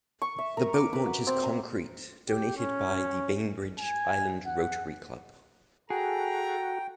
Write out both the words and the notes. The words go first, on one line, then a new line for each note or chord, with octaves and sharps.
The boat launch is concrete, donated by the Bainbridge Island Rotary Club.
C#6
E5
A#4
D6
B4
F#4
C4
A#5
G4
C#4
G#5
F#5
F#4 G#4 A4 G5 A#5